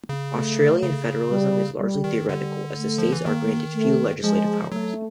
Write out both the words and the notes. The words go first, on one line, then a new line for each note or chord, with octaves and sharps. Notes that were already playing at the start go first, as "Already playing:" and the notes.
Austrian federalism is largely theoretical as the states are granted few legislative powers.
C#3
A3
C#3
G3
G3
D#3
D3 G3
A3
F3
E3
D#3 A#3
A3
F3 G#3
F#3 A3